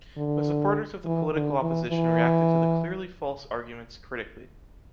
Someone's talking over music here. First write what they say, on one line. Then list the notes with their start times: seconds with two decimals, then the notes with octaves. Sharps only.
The supporters of the political opposition reacted to the clearly false arguments critically.
0.17 D3
1.04 E3
1.33 D3
1.62 E3
1.90 E3